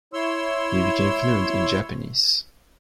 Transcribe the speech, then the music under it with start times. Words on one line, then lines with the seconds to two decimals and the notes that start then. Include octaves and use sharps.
He became fluent in Japanese.
0.13 E4 C#5 C6 E6